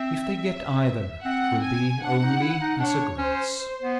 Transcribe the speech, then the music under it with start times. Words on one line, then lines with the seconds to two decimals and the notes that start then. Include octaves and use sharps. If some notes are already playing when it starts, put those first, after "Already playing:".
If they get either, 'twill be only as a grace.
Already playing: C4 E5
1.24 C4 F#5
1.63 G#5
2.02 D4 F#5
2.22 D#4
2.41 E4
2.61 D#4
2.79 D4 C#5
3.18 C#4 C5
3.57 C5
3.82 B3